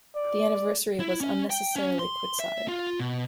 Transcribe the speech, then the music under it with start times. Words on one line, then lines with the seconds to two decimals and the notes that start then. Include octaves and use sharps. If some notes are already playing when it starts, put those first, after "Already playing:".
The anniversary was unnecessarily quixotic.
0.16 D5
1.00 E4
1.21 C#4
1.50 G5
1.76 C#4
1.99 C6
2.40 E5
2.68 F4
3.00 B2